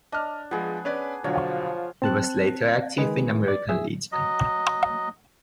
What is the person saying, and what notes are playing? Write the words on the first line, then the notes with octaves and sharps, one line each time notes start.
He was later active in the American Legion.
D4 D#5 F6
F3 G#3 B3 G#4
C#4 B4 D5
B2 D3 F3 F#3 F4 C#5
C4 A5 F#6
D#3 G#3 G#4 B4
D5 A6
G#4 E5
F#3 D#5